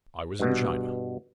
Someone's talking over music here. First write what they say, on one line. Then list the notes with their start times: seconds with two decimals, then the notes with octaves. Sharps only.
I was in China.
0.40 G2 B2